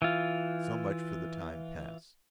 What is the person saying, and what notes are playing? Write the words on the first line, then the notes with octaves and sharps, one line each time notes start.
So much for the time past.
E3 F4